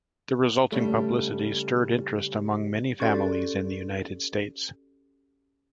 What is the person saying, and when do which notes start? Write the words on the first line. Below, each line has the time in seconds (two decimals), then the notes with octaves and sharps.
The resulting publicity stirred interest among many families in the United States.
0.72 C#3 G3 A3
3.00 C#4 F#4 G4 A4 D5 C6